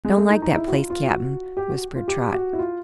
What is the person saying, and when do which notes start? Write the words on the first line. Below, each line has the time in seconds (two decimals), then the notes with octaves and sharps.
"Don't like that place, Cap'n," whispered Trot.
0.05 G#3
0.17 A3
0.30 D#4
0.42 D#4
0.55 E4
0.68 F#4
0.73 F4
0.90 F4
1.06 F#4
1.57 G4
1.70 F#4
1.95 F4
2.08 G4
2.33 F#4
2.53 E4
2.59 F4